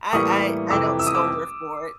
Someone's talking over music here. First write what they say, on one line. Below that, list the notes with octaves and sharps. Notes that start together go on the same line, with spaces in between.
I I I don't scold her for it.
A2 E3 G3 A#3 C#6 D#6
F2 C3 E3 D6 E6
E6
D#6
D6 E6